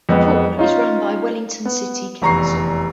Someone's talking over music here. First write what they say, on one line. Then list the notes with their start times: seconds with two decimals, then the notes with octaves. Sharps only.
The pool is run by Wellington City Council.
0.09 F2 G#3 B3
0.57 C#4 D#4 F4
1.65 B3
2.22 F1 E2 A#5 C#6 C7